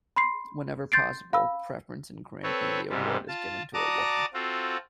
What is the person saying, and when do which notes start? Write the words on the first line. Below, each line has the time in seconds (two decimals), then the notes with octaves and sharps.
Whenever possible, preference in granting the award is given to a woman.
0.16 B5 C6 C7
0.92 C6 G6 A6 C7 D7
1.33 F5 B5 E6
2.43 C4 A4 B4 C#5
2.89 G#2 C3 G3
3.28 F4 A5
3.74 F#4 D5 A5 A#5 D6 D#6
4.34 C4 F4 F#4 A4